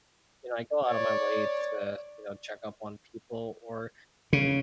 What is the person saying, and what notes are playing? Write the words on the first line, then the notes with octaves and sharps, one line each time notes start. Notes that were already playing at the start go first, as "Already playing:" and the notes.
you know, I go out of my way to, you know, check up on people, or
C#5 D5
C#3